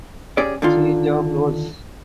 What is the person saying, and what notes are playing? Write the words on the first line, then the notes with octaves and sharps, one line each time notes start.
Siege of Rhodes.
C#4 G4 G#4 D5
D3 D#3 F4